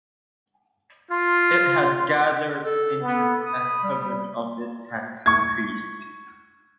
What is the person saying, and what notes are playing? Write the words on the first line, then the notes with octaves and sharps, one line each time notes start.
It has gathered interest as coverage of it has increased.
F4 C6
A4
B3 A4
B5 D#6
G3
C#6 G#6